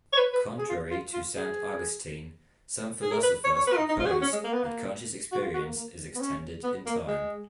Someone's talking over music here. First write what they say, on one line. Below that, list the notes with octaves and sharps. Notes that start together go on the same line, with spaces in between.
Contrary to Saint Augustine, some philosophers propose that conscious experience is extended in time.
C#5
B4
B4
G#4
F4
F4
F4
G#4
G#4
A#4
B4
C#5
C#5
B4
F4
D#4
D#4
F4
G#4
F#4
C#4
G#3
A#3
B3
A#3
F#4
F4
F#4
A#3
A#3
B3
C#4
B3
A#3
G#3